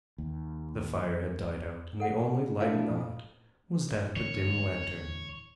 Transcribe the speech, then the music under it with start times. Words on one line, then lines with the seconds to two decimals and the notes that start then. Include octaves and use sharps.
The fire had died out, and the only light in the hut was that of a dim lantern.
0.18 D#2
2.00 A4 F#5
2.60 A3 D4 E4 F5
2.88 F2
4.16 D1 D3 E3 C#5